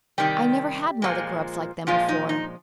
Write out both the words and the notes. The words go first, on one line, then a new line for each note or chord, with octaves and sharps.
I never had mullygrubs like them before.
C3 D#3 G3 G4
A#2 F3 G#3
A#2 F3 G#3 F4
D#4
D#4